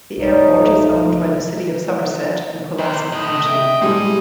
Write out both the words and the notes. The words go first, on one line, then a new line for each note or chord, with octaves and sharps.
The airport is owned by the city of Somerset and Pulaski County.
D#4 C#5
A3
E2 C5
A2 D#5
E5 G5
A2 G3 G#3 G4 C5 G#5